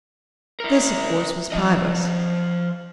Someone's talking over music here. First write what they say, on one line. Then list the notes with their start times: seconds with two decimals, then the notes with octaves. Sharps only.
This, of course, was Pybus.
0.60 E4 A#4
1.52 F3 D#5